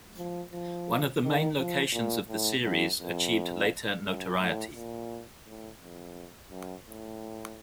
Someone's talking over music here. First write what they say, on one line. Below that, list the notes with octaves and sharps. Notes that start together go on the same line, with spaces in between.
One of the main locations of the series achieved later notoriety.
F3
F3
D#3
F3
A#2
A2
F#2
F2
F#2
A2
A#2
A2
F2
F#2
A2